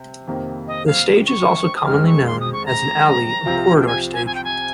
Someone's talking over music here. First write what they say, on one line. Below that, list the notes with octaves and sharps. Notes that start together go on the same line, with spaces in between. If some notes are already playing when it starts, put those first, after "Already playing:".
The stage is also commonly known as an alley or corridor stage.
Already playing: C3
F2 C3 D#3 A#3
D#5
F5
C#6
D#6
F2 D#3 G#3 F6
C#6
C6
D#6
C#6
A#5
C2 C3 F3 C4 F4
G5
G#5
G#5
G#5
G5
G#5